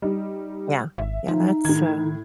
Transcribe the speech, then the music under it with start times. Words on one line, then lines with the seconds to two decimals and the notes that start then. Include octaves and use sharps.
Yeah. Yeah, that's, uh
0.02 G3 D#4
0.98 G#1 E5
1.28 F3 D#4
1.65 A2 D#3 G#6